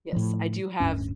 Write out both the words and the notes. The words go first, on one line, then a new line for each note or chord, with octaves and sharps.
Yes, I do have
A2 F3
D1 G#1 G2 C#4